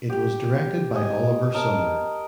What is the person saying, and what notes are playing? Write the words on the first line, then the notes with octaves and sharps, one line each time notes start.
It was directed by Oliver Sommer.
G4
D#5 G5 G#5
A#4 D#5 A5